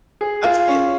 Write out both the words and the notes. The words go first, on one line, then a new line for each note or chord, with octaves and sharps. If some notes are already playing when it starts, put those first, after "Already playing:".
that's yeah.
G#4
F4
C#4